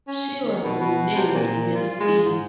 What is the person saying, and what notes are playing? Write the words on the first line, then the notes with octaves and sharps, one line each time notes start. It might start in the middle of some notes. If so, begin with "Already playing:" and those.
She was renamed "Mary D".
C#4
D#3
B2
B2
C3
A#2
F4
G#3
G#2